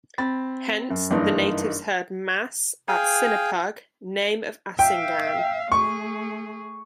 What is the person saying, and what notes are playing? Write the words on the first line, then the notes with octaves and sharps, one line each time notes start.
Hence, the natives heard Mass at Sinapug, name of Asingan.
C4 B5 A6
F#2
F#1 G2 E3 D4 D#4 A#4
G#4 F5 G5 G#5
E5 F5 G5
A3 G#4 C#6